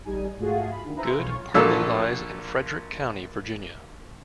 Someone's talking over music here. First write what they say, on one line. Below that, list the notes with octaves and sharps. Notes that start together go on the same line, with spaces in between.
Good partly lies in Frederick County, Virginia.
A1 G3 D#4 G#5
G#2 A3 F4 F#4 G#4
B5
D3 D#3
E4 G#4 B4 C5 E5 A#5
B1 F4 C#5
A#1 A#2 F#4 A4 E6